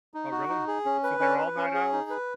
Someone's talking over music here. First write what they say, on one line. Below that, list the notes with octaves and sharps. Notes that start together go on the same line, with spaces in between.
Oh, really? S So they're all night owls?
D#4
F#4
D#4
G#4
C#4
B4
C#4
B4
C#4
G#4
D#4
B4